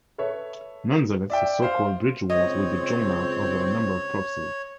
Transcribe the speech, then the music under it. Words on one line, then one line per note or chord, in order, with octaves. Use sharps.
Nonetheless, the so-called "Bridge Wars" would be drawn out over a number of proxies.
A4 B4 C#5 E5
D5 E5 G5
C5 F5
C#2 C4 C#5 D#5